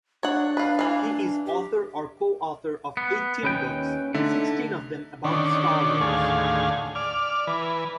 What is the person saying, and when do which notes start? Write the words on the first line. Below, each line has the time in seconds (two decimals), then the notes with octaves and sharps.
He is author or co-author of eighteen books, sixteen of them about "Star Wars".
0.23 D4 C#5 F#5
0.57 B4 F5
0.79 E3 F5
1.46 G4
2.97 B3
3.43 D#2 C#4 B4 G5
4.15 D3 A3 D#4
5.24 D3 D#3 C#4 D4
6.01 D#2 A2 D3 G#4 F5
6.95 D5 F6
7.47 E3 B4